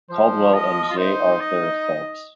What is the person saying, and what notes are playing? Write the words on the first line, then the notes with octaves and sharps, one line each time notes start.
Caldwell and J. Arthur Phelps.
F3 C5
D#5
F4
D#4 C5
D#5